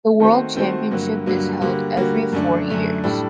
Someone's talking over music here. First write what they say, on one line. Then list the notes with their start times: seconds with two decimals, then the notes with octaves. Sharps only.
The world championship is held every four years.
0.20 D#3 A3 C4 F#4 C5
0.55 D#3 A3 C4 F#4 C5
0.91 G2 D3 F#3 A#3 F#4
1.26 G2 D3 F#3 A#3 F#4
1.62 D3 G3 A#3 F#4
1.97 D3 G3 A#3 F#4
2.32 F#2 D3 A3 D4
2.68 F#2 D3 A3 D4
3.04 A2 G3 D4 A4